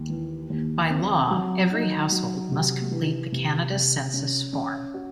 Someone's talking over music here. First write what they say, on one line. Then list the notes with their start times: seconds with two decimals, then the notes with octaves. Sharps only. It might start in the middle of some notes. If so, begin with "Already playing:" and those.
By law, every household must complete the Canada Census form.
Already playing: D#2
0.09 E3
0.50 D#2
0.90 C4
1.31 F#3
1.71 D#4
2.12 F#3
2.52 C3
2.91 E3
3.32 C3
3.73 C3
4.13 C#4
4.53 C#4
4.94 F#4